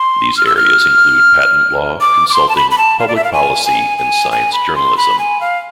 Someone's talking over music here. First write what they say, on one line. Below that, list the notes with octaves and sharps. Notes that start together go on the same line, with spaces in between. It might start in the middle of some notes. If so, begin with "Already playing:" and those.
These areas include patent law, consulting, public policy, and science journalism.
Already playing: C6
F6
E6
F6
D6
D6
C6
A5
B5
B5
A5
F5
D5
E5
F5
G#5
G#5
G#5
G#5
B5
C6
B5
G#5
F5